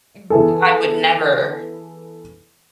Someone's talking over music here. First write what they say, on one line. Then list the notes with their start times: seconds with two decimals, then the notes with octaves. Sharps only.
Mm, yeah, I would never
0.30 E3 B3 E4 G#4 A4